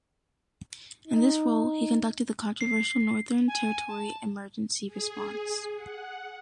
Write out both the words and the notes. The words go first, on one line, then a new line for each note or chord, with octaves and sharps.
In this role, he conducted the controversial Northern Territory Emergency Response.
D#4
C7
G#5
A5
G#4
F#5